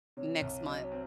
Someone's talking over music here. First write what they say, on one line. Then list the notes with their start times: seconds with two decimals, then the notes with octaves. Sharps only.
next month
0.17 C3 C#5
0.42 C2
0.67 F#3 D#5
0.84 C#5
0.92 C4